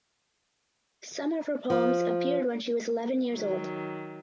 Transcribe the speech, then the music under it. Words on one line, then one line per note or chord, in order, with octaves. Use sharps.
Some of her poems appeared when she was eleven years old.
F3
D#3 F#3